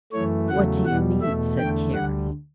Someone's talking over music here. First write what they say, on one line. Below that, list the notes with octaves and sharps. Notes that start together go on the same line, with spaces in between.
"What do you mean?" said Carrie.
F#2 E3 A3 C#5
E2 C#3 F#3 A3 F#5
E2 B2 G3 F#5
E2 B2 A3 E5
E2 D3 A3 G5
D2 D3 G3 F#5